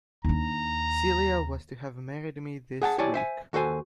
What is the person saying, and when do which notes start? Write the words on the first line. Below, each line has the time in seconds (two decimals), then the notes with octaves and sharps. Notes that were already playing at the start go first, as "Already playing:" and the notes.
Celia was to have married me this week.
0.25 D#2 D4 A#5
2.82 G#4 F#5 G5 A5
2.98 E4 G4 C#5 D5 G#5 A5
3.14 C5 E5 G#5
3.53 D#2 F#4 A4 C5 G#5